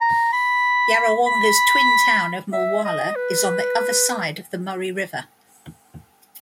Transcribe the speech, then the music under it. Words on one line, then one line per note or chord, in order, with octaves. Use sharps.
Yarrawonga's twin town of Mulwala is on the other side of the Murray River.
A#5
B5
B5
E5
D#5
B4